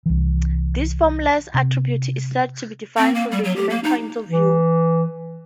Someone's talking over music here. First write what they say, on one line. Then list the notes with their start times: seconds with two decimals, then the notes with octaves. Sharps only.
This formless attribute is said to be defined from the human point of view.
0.06 C2 E3
1.54 C3
2.98 C4
3.14 A#3
3.32 G3
3.44 F#3
3.56 G4
3.70 A#3
3.84 D#4
4.29 E3